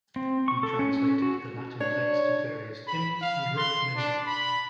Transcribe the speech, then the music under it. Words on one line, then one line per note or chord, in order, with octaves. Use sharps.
He translated the Latin texts of various hymns and wrote many others.
C4
C#6
A4
C#4
C#4
F#4
D4 C#5
B5
F5
C6
D4
B5